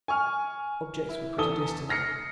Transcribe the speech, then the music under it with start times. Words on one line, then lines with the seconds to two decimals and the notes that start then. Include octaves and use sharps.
Objects were pretty distinct now.
0.08 G#5 C#6 F6
1.09 E4
1.38 E2 A4 D#6 G7
1.89 F6 A#6 C7 C#7